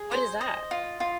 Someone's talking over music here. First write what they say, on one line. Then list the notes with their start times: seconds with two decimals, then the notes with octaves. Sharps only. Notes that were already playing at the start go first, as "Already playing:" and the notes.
What is that?
Already playing: G#4
0.12 C5
0.41 D#5
0.71 F4
1.00 F4